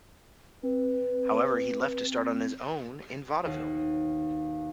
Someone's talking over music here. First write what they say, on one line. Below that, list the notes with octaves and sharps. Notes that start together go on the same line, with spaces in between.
However he left to start on his own in Vaudeville.
C4 B4
D#2 B2